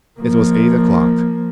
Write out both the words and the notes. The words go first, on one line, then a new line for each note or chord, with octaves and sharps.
It was eight o'clock.
F3 A#3